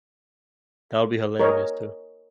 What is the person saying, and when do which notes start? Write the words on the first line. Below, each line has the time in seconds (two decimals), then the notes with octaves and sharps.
That would be hilarious, too.
1.40 A#4 C#5 D#5 A#5